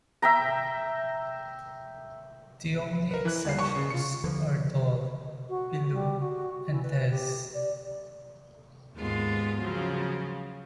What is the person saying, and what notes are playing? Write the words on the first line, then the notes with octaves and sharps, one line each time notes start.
The only exceptions are "Dhol", "Billu" and "Tezz".
E5 G5 A#5
A#4 B4
E3 F#6
D#2 G3 C7
C#6
C#3
F4 C#7
D3 E3 F3
F#4
G3
F#4
E3
B4
G4
D5
D#2 G#2 G#3 B3 F4
C#3 F3 F#3